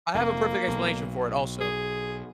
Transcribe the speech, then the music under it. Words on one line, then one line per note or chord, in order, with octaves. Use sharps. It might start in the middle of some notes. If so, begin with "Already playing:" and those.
I have a perfect explanation for it also.
F1 A#3
B1
G#4